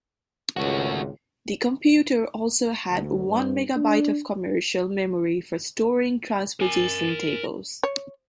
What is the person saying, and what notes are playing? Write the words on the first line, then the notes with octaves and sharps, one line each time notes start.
The computer also had one megabyte of commercial memory for storing transposition tables.
G#1 C#2 A3 F#4
D2
G2
D4
A#4 G#5
C#5